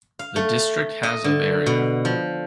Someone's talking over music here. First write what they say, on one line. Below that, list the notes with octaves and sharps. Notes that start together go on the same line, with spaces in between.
The district has of area.
F5
A3
D#5
D3
B2
F3